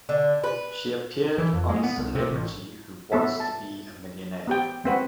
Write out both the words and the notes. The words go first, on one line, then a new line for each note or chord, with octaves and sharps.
She appeared on Celebrity Who Wants To Be A Millionaire?
D3
B4
E3
F2
G#3
B3
C2
C3
A1
B3 A4 E5
A5
B3 G4 G5
G#3 C4 B4 F#5